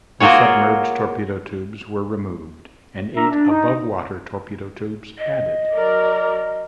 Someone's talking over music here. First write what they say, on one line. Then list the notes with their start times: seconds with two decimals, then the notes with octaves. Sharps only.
The submerged torpedo tubes were removed and eight above-water torpedo tubes added.
0.20 A#3 F4 F#4 G#4 C#5
3.16 D4 A#4 E5 A#5
3.31 D4
3.49 D#4
5.18 D#5
5.72 F#3 A#4 D5